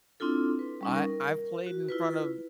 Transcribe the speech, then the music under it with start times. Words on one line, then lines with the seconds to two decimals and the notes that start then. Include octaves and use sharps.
I I've played in front of,
0.20 C4 D4 E4 F4 A4
0.59 B4
0.81 G3 C#4 D#4
0.94 A#4
1.66 F#4
1.89 E4 F4 B4